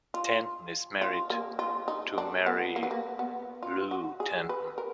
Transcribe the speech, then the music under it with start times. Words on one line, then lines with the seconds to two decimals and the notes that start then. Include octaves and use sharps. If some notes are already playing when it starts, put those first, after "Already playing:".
Tanton is married to Mary Lou Tanton.
0.14 F4
1.01 F4
1.30 A#3
1.59 F4
1.88 D#4
2.18 D4
2.46 B3
2.76 A#3
2.83 B3
2.91 A#3
3.19 B3
3.63 F4
3.91 F#4
4.20 G#4
4.49 B4
4.78 A#4